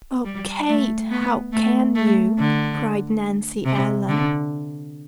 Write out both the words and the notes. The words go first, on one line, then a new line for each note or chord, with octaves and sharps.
"Oh, Kate, how can you!" cried Nancy Ellen.
G3
A3
B3
A3
A3
D3
C3
D3